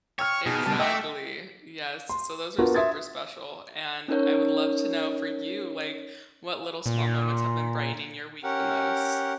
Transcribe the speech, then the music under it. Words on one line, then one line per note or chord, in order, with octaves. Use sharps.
Exactly, yes, so those are super special, and I would love to know for you, like, what little small moments have been brightening your week the most?
C#5 G5 E6 F6
B2 D#4 G#4
C#3 G3 A5
A3 D#5 E5 G5 D6
C6
B3 D4 F4 F#4 A#4
E5 C6 D#6 G#6 A6
C#4 D#4 A#4 C#5
A#2
C#4 G4 A#4 F#5